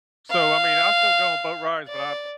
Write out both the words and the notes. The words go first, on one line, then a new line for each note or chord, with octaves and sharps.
So, I mean, I still go on boat rides, but I,
F5
D5